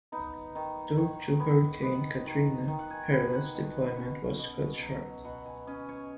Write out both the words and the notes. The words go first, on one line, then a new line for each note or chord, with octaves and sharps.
Due to Hurricane Katrina, her last deployment was cut short.
B3 D#4
D#3
D#3 C#5
B3 C#5
B3 D#5
D#3
D#3
F#5
G#5
B3 F#5
F#5
B2
C#4
B2 D#5
F#3
B2 F#5
G#5
C#4 D#5
C#5